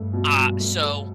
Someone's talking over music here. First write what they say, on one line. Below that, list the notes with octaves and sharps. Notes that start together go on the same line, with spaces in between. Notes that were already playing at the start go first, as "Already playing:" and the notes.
Ah, so,
Already playing: G2 A3
B2
B2
A3
A4